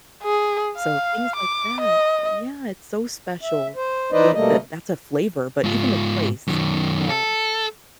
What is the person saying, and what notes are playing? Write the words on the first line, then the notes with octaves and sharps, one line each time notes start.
So, things like that uh, yeah, it's so special. Though, tha that's a flavor, but even a place. Uh,
G#4
F5
D6
D#5
E5
C5
E3 D#4 B4 C5 D5 D#5
B2 G3 A3 A#3 D#5
G#2 F4
F#2 D#3
A4